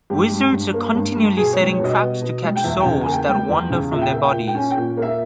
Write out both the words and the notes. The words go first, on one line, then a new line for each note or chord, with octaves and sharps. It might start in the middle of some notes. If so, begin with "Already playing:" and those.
Wizards are continually setting traps to catch souls that wander from their bodies.
G2 G4
G3
G2
A#3
G2
G3
B2 G#4
C#5
G3
C#5
B2
D#5
B3
B2
G3
G5
E2 E5
C#3 G5
G#5
A#3
G5
G3 G5
E2
C#3
A#2 E5
G5
A#3 E5
G5
A#2
G5
C#4 G#5
G5
A#2
A#3 E5